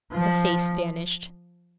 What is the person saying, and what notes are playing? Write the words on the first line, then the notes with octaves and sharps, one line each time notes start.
The face vanished.
F3